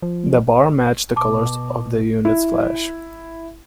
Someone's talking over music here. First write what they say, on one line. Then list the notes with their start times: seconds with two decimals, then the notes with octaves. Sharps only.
The bar matched the colors of the unit's flash.
0.02 F3
1.16 B2 A5 D6
2.25 E4